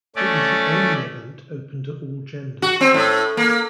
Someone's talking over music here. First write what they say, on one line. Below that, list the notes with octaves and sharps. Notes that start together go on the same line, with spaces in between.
It was the only event open to all genders.
A3 C#4 D5
F#4
C4
A2
A#3